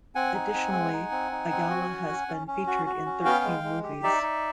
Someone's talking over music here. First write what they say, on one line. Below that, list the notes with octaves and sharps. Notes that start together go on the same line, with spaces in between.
Additionally, Ayala has been featured in thirteen movies.
C4 F#5 G#5
D#4
C4
G#3
D#4
C4
D#4
C4
F#4
C#4
C#4
C#4
C#4
F#4
F#4
C#4
B3 F5 G5
G#3
G#3
G4
D#4 D5 E5
D#4